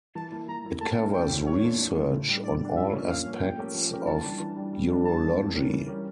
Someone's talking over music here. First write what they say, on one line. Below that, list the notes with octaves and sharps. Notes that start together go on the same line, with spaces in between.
It covers research on all aspects of urology.
E3 A5
A#3 E4
E3 A#5
A#3 E4
A3 A5
C#4 E4
A3 G5
C#4 E4
A2 C#5
E3 A3 D4 F4
A2
E3 A3 D4 F4
A2
G3 D4
A2 D5
G3 D4
F3 E5
A#3 C#4
F3 F5
A#3 C#4
F3 G5
A3 C#4 G4 A#4
F3
A3 C#4 G4 A#4
E3 A5
G3 D4
E3
G3 D4
G3
D4 A4
G3 A5
D4 A4
E3
G3 C#4 G4 A#4
E3
G3 C#4 G4 A#4